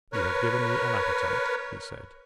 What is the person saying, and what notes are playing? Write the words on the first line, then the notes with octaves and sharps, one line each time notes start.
"You have given me an appetite," he said.
A#4 B4 C#5